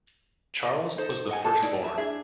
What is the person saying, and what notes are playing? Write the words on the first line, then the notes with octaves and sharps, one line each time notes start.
Charles was the firstborn.
D#4 A4 C5
D#5 F#5 G#5
E4 A4 C5 A5
D#4 E4 D5
E5 A5
D4 E4 G#4 E5